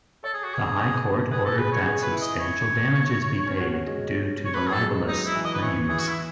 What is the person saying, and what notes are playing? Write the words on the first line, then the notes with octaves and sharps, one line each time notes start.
The High Court ordered that substantial damages be paid due to the libellous claims.
A4 C#5
G#4
F#4
G#4
G#4 B4
A4
G#4 B4
C#5
G#4 C#5
B4
E4
D#5
C#5
C#4
F#4
F#4
G#3
C#5
A3 B4
G#4
F#3 A4
G#3
F#3 D#4
E4
E3
D#5
B4
E3 C#5
E3 G#4
F#4
E4